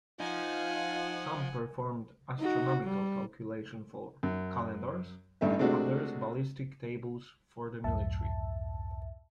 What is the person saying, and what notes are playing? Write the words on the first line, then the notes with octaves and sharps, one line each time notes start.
Some performed astronomical calculations for calendars, others ballistic tables for the military.
F3 D#4 F4 F#5 G#5
D#4 F#4
G3
F#2
A1 G2 A3 E5
C3 G#3 A3 D4 F#4
C2 F2 G#2 E5 A5